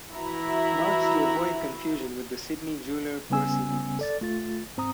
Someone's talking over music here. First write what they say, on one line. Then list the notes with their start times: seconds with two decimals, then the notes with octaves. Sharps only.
Marks to avoid confusion with the Sydney jeweller Percy Marks.
0.12 E3 E4 F#4 E5 A#5 B5
3.30 C#3 G3 B3 C#4 G#5 E6
3.99 A4 D5 A6
4.20 C2 A3 F4 A6
4.77 G#2 C4 A#5 D#6